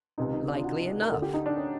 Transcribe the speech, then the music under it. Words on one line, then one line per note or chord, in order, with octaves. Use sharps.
Likely enough.
C#2 C3 D#3 D#4
D#4
D4
F4
F#4
A#4
D2 D3 A4
G4
D#4
D4
C#4